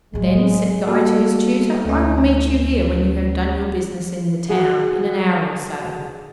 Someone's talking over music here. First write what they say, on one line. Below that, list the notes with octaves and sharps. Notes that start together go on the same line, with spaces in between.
'Then,' said Guy to his tutor, 'I will meet you here when you have done your business in the town, in an hour or so.
A1 F#3 G#3
G3 A#3 F#4 A4
D2 A3 C#4
F#4 G#4 F#5